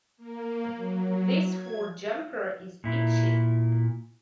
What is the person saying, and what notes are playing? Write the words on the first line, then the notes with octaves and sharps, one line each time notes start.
This wool jumper is itchy.
A#3
F#3
G#6
A#2 E4